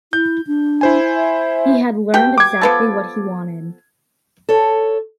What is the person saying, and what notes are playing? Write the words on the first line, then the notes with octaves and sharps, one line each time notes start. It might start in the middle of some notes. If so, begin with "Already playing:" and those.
He had learned exactly what he wanted.
E4 G6
D4
E4 C5 G#5
E5
B2 G4 G5
D6 G#6
F3 B3 A4
A4 C#5